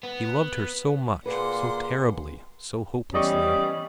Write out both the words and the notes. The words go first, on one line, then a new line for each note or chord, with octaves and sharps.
He loved her so much, so terribly, so hopelessly.
B3
A#2 G#4 B4 F#5 C6 D6
E3 G3 B3 C#4 D5 D#5 C#6 D#6